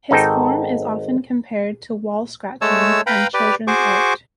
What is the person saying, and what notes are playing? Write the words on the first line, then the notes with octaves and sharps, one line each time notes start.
His form is often compared to wall scratchings and children's art.
G#1 D#4 A4 G5
G#3 A3 C#5 A5 E6
B4 F5 G5 A#5 B5
G4 B4 D5
F#4 G#4 C5 C#6 D6